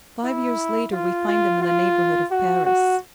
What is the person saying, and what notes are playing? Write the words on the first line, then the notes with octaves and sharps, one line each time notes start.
Five years later we find them in the neighbourhood of Paris.
E4
F4
F4
F4
F#4
F#4